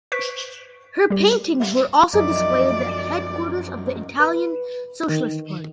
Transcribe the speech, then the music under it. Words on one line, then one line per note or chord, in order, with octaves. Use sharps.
Her paintings were also displayed at the headquarters of the Italian Socialist Party.
B4 C5 C#6 B6 D7
G3 G4
F#2 F3 F#3 D#4 D5 E5
B4
D#3